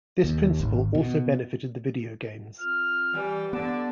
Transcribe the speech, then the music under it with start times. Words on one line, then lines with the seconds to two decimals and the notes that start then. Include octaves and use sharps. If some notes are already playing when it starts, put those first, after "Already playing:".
This principle also benefited the video games.
0.24 D#2
0.60 G#1
0.95 B2
2.59 C4 F4 F6
3.14 E3 G3
3.53 D3 B3 A5 D6